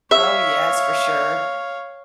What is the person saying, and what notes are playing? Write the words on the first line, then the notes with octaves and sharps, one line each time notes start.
Oh, yes, for sure.
C#5 E5 F5